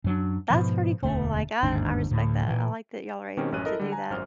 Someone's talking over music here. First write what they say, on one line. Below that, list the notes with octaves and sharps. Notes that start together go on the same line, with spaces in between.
That's pretty cool, like, I I respect that, I like that y'all are able to do that,
F#2 F#3 D4
G#2 B2 F3
E1 D2 A3
G1 D#2 G#2 D4
D2 A2
A#2 E3
B2 D#3 C4 C#4 G4
A1 F#2 C#4 F#6 D#7
E4 A4 A#4 D#5
D3 G3
G#5 A#5
G#1 F#2 C5 F6